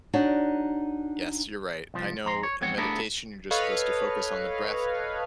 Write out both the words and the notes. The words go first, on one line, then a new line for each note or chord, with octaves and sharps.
yes, you're right. I know in meditation, you're just supposed to focus on the breath.
D4 D#4 F#4 C#5 D5
C2 F3
F2 A#5 C6
C#5
E2 F3 C4 C#5 F#5
A3 B3 D4 E4 G#4 A#4
A4 B4 C#5 D#5 F5